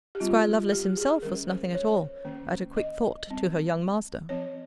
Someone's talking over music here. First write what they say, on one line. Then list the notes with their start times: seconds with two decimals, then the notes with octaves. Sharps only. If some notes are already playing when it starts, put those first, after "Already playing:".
'Squire Lovelace himself was nothing at all at a quick thought to her young master.
0.15 G4
0.20 G3 C4 F4
0.72 G4
0.97 G#4
1.22 D#3 G3 A#3 C#4 A#4
1.49 C5
1.74 C#5
2.25 D#3 A#3 C#4
2.76 D#5
3.27 G3 C4
4.29 F3 C4 C#5